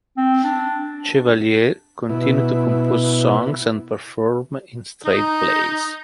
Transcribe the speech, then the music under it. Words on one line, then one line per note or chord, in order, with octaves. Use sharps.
Chevalier continued to compose songs and perform in straight plays.
C4
D4
B2 E4
D#4